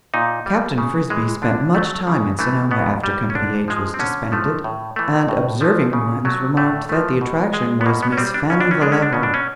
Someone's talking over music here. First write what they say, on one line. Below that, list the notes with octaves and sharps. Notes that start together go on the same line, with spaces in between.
Captain Frisbie spent much time in Sonoma after Company H was disbanded, and observing ones remarked that the attraction was Miss Fannie Vallejo.
A#2 D#4
G3
C#3
E3 G#3
D3 D4
F#3 A3
C#3
E3 A3
B2 B3
G3
C#4
D3 D4
F3 G#3
C4
D3 C#4
F3 A3
A2
E3 A3
A2
F3 A3
C#3
F#3 A3
A2 A3
F3 A3
B2
G#3
B3
B2 A#3
B3
C#4
G3 C4
D4
B2 C#4
D4
C#4
G#3 D4
C#4
D4
B2 C#4
D4
C#4